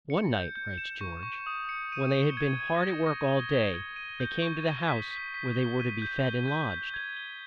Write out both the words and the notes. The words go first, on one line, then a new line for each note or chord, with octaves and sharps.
One night, writes George, when they had been hard at work all day, they came to the house where they were to be fed and lodged.
C#7
G6
G6
E7
C#6
C#6
D#6
C#7
D#7
G7
G#6
G#6
A#6
A#6
G7
G7
G#6
D#7
G6
C#6
G7
B6
B6
B6
G7
D#7
G6
G7
G6
G6
G#6
G7